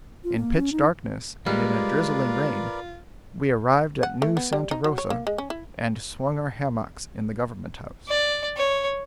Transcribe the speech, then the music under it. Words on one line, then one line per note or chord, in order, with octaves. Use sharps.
In pitch darkness and in a drizzling rain we arrived at New Santa Rosa, and swung our hammocks in the Government House.
F4
A#3
C#4
D#4
G3 G#3 F4 A#4 B4 D5
F#5
A3
B3
G3
D#4
F#3
C#5
A#3
G#3
C#4
E4
D5
C#5